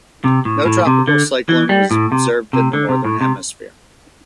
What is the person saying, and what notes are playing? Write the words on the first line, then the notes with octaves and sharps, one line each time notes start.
No tropical cyclone was observed in the northern hemisphere.
C3
A2
A2
C3
D3
E3
G3
A2
C3
C3
D3
C3
A2
C3